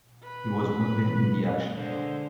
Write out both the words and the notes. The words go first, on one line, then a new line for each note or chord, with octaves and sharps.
He was wounded in the action.
B4
D3 G#3 C5